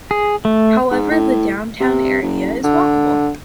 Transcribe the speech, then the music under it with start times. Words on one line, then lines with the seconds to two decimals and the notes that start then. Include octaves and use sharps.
However the downtown area is walkable.
0.11 G#4
0.45 A3
0.91 G#2
1.11 A2
1.80 C3
2.22 F#1
2.64 D3